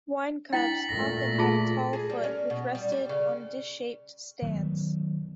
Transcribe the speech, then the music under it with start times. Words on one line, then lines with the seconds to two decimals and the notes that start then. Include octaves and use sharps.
Wine cups often had a tall foot which rested on dish-shaped stands.
0.53 D4 E4 G5 A6 B6 F#7
0.89 A#2 A3 A#6
1.39 F4 G#4 A5
1.93 G#4
2.10 G3
2.24 C#4
2.50 B2
2.75 G3
2.92 G3
3.09 C#3
4.42 D#3 F#3 B3